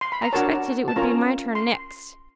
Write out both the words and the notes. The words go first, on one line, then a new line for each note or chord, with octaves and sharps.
I expected it would be my turn next.
C6
B5
A#5
D4 F#4 A#4 C#5 A5
A5
C#4 F4 A#4 C#5 A#5
C6